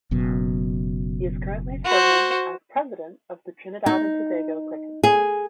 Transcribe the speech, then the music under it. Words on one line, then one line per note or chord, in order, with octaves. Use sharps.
He is currently serving as President of the Trinidad and Tobago Cricket Board.
F#1 F#2 B2
F#4 C5
D#4
G#4